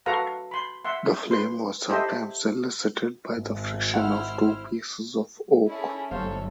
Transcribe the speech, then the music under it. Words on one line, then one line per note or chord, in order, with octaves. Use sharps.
The flame was sometimes elicited by the friction of two pieces of oak.
F#4 A4 B4 F5 F#5 A#5
B5 C6
E5 F#5 C6
B4 C6
E4 G4 A4 C5 D#5 E5
G#1
E4 C5 F#5 F6
C#4 E4 G#4 A4
G1 F#3 A3 A4 C5 C#5 F5